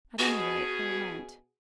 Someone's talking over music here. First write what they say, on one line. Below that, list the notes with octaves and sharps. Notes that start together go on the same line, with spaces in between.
At any rate, they went.
B2 F#4 G#4